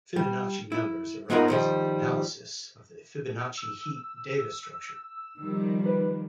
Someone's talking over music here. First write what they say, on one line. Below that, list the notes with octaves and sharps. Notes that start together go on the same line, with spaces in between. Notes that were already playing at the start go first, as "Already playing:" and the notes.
Fibonacci numbers arise in the analysis of the Fibonacci heap data structure.
G3
E4
G#3 B3 D#4 F4 F#4 A#4
D#3 F3 G3
E6
D#3 F3 G3
B4